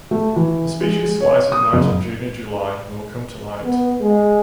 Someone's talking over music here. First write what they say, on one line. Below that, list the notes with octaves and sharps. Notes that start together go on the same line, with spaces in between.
The species flies at night in June and July and will come to light.
A3
E3
G#3
C#5
D#6
F#1
B3
G#3